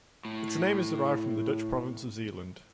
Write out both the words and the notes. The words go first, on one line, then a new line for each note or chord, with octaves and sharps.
Its name is derived from the Dutch province of Zeeland.
A2